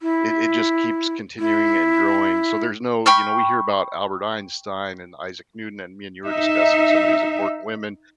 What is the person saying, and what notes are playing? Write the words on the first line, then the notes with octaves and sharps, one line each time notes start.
it it just keeps continuing and growing, so, there's no you know, we hear about Albert Einstein and Isaac Newton, and me and you were discussing some of these important women,
E4
E4
G5 B5 C#6 F6
D#4 E5